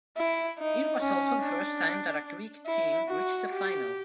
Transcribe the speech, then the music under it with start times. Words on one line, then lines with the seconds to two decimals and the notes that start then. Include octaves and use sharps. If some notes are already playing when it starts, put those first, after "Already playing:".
It was also the first time that a Greek team reached the final.
0.17 E4
0.59 D#4
1.00 C#4
1.42 D4
2.67 E4
3.08 F#4
3.50 G4